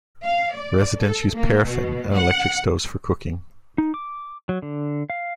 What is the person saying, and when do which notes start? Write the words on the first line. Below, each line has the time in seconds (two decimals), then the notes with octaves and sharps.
Residents use paraffin and electric stoves for cooking.
0.24 F5
0.54 D5
1.01 A4
1.34 A#3
1.65 B2
2.15 F#5
3.78 D#4
3.94 D6
4.49 F#3
4.62 D3
5.10 F5